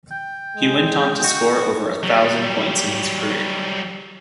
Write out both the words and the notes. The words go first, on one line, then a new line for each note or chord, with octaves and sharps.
He went on to score over a thousand points in his career.
G5
G#3
F#4
F#3 G3